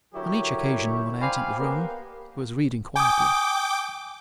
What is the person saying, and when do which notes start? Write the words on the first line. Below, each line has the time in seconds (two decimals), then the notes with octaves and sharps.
On each occasion when I entered the room, he was reading quietly.
0.14 D3 F#3 E4 G4 A#4 C#5
1.21 C5 D5 F5 G5 G#5 B5
1.59 A#3 B3 G4
2.96 G5 G#5 D6 D#6